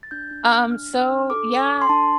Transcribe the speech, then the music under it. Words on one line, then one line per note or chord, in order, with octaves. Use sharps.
Um, so yeah,
A6
D4 G6
D4
D4
D4 F6
D4
F6
D4
A4 D6
A4
A4
C6
D4 A5